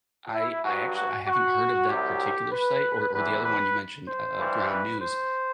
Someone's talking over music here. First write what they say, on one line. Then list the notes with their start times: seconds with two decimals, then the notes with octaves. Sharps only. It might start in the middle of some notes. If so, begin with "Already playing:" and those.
I I actually I haven't heard of that particular site or or the other one you mentioned, u uh, Ground News,
0.34 E4
0.65 G2 F#3 F#4
0.97 F#4
1.27 F#4
1.90 C2 C3 F#3 G4
2.52 B4
3.14 E2 C3 E3 B4
3.46 B4
4.09 C5
4.39 G2 E3 G3
4.70 B4
5.02 C5